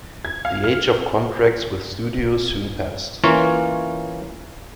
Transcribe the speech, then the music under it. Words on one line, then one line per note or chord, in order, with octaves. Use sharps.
The age of contracts with studios soon passed.
G#6
F5
F6
E3 A#3 C#4 F4 C#5